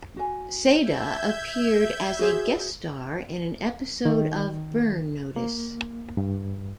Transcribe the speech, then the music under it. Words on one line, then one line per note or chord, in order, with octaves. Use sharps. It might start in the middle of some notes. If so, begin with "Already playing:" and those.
Seda appeared as a guest star in an episode of "Burn Notice".
F#4 G#5
E5 G6 G#6
F#4 G#4 C5
D#3
A#3
G2